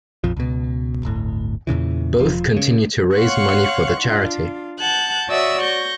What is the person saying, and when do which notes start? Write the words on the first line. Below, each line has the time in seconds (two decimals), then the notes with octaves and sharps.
Both continue to raise money for the charity.
0.24 A#1 F2 F3
0.37 C#2 B2
1.03 D1 G1 A2
1.67 E2 A#2 C#3 E3
2.18 E1 F3
2.56 C#3
3.15 C#5 F5 F#5 C6 C#6 F#6
4.01 D4 F4
4.80 F#5 A5 F#6 G6
5.29 F#4 C#5 D5 E5 D#6 E6
5.61 C#6 G6 A#6